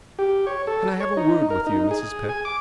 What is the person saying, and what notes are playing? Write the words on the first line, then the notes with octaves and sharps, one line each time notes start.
"Can I have a word with you, Mrs. Pett?"
G4
C#5
A4
C#5
D#4
A#4
D#4
G#4
G#5
D6